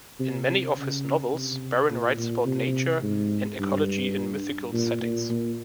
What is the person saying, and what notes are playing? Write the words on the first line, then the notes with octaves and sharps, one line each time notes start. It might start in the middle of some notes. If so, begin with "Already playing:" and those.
In many of his novels, Barron writes about nature and ecology in mythical settings.
C3
C3
C#3
C3
A#2
A#2
C3
G#2
G2
A#2
A#2
A#2